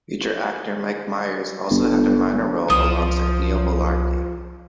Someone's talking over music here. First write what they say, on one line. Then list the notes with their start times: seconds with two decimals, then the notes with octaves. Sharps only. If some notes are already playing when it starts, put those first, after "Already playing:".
Future actor Mike Myers also had a minor role alongside Neil Mullarkey.
1.71 G1
2.70 C2 F3 D#6